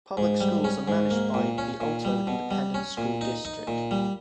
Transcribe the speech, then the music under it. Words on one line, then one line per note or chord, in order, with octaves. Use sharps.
Public schools are managed by the Alto Independent School District.
G#2
G3
C#4
G#2
A#3
A#2
C#4
A#2
G3
B2
G3
C#4
A#2
D#4
D#4
A#2
G3